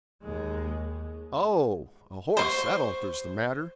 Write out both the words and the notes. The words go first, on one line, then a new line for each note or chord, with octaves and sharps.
'Oh! a horse; that alters the matter.
D#2 G#3
C5 C6 C#6